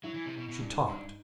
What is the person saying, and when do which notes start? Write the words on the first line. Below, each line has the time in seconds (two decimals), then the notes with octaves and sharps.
She talked.
0.03 F#3 E4 E5
0.14 E3
0.26 C3
0.37 B2
0.49 B2
0.60 G2
0.71 D#4 D#5
0.88 G2